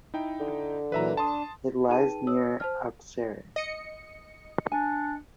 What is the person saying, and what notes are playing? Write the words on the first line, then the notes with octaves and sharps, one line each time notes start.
It lies near Auxerre.
D#4 E4 G5
D3
A#2 E3 F#3 B4 E5 A#5
D4 A5 C6 D#6
D#4 G#4 B4 G5 A5 D#7
C#5 D#6 E6
C5 A5 F6
D#5 C#7
D4 G#5